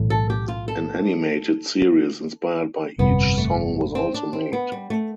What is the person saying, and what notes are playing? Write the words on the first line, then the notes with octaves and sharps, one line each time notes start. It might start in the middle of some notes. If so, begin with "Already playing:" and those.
An animated series inspired by each song was also made.
Already playing: B1 A2 E3 A3
A4
G4
F4
A4
G1 F2 C3 G3 B3
A3
C4
D4
C4
B3
G3
A3